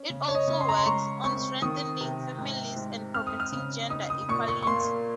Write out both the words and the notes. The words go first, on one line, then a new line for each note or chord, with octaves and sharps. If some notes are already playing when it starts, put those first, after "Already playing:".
It also works on strengthening families and promoting gender equality.
Already playing: C#4
C#3
C#5
D#5
C#3
C6
A#5
C6
G#3 C#6
C4 C#6
D#3 D#6
C3
G#2
G#2
C4 F6
D#6
F6
C#3
D#4 D#6
D#6
A#2 C#6
C#6
C#6
A#3 C6